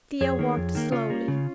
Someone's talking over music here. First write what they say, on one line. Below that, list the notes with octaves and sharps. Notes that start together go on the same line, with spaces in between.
Thea walked slowly.
F2 G#4 C#5
D#3 A#3
F2
D#3 A#3
C#3 C#4 F4
A#3
C#3